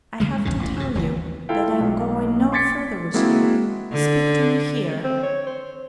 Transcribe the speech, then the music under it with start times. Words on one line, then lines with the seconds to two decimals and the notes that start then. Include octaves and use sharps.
I have to tell you that I am going no further with you. Speak to me here.
0.20 D3 G3 G#3
0.32 G#2
0.45 A1 E2 G#2 C#3
0.59 A1 A#2
0.76 F#2 C3
0.95 F#1 D#2 C#3 E3
1.49 E4 F4 A4 F5 G5
1.80 B1
2.52 C6 D6 G#6 A6 B6 C#7
3.14 G#3 A#3 C4 E4 F#4
3.92 D3
5.04 C4
5.23 C#5
5.46 C5